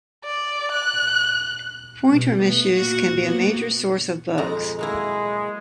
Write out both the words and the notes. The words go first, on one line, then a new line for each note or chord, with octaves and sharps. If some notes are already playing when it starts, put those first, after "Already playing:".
Pointer misuse can be a major source of bugs.
D5
F#6
B2 G3
A3 B3
A#2 F#4
A#3 B3 F#4
F2 G#3 A#5
F#3 G#3 A#3 E4